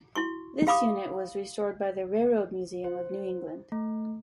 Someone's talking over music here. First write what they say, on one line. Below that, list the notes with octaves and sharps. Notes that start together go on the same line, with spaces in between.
This unit was restored by the Railroad museum of New England.
E4 F#4 C#6
G4 F5 B5 D6 D#6
C5
A3